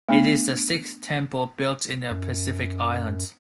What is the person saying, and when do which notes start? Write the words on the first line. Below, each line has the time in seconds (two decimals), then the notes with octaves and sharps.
It is the sixth temple built in the Pacific Islands.
0.09 A3 B3 D4
2.11 F#2